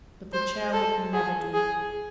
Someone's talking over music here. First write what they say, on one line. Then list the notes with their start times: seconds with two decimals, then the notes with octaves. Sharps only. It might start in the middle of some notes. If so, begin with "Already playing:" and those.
But the chair would never do.
0.33 C5
0.73 A4
1.13 G#4
1.54 G#4